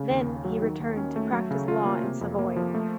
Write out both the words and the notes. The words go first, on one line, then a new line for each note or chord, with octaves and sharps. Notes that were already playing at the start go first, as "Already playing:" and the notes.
Then he returned to practice law in Savoy.
Already playing: C#3
D#2
D#2
F#3
D#3
D#2
C#4
A3
F#3
C#3
F4
A#3
C3
F2
A#3
F3
A3